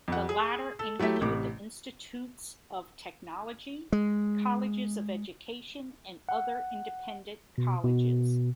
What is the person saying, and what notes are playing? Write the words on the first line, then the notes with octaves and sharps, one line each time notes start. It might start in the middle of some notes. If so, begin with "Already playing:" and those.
The latter include the Institutes of Technology, Colleges of Education, and other independent colleges.
F2 F#5
G#4
A4
F#3 A3 E4 G4 E5
A1 C3 D6
G#3
F#5
B2
B2